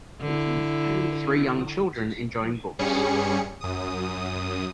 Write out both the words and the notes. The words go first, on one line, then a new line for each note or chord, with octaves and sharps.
Three young children enjoying books.
D3 E4
G2 G3 C#4 G#4 C#7
F#2 D#6